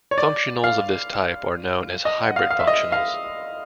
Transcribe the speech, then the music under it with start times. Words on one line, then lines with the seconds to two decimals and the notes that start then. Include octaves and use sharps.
Functionals of this type are known as hybrid functionals.
0.11 C#5
0.18 D5
0.64 F5
2.05 D#5
2.25 F#5
2.36 F5
2.51 F5
2.59 E5
2.67 D#5
2.92 F5